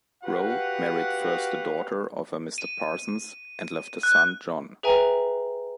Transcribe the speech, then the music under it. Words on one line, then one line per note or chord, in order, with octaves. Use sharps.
Rowe married first a daughter of a Mr Parsons and left a son John.
F#4 G4 B4 F5 F#5
D#7
F#6
G#4 B4 E5 G5 G#5 A#5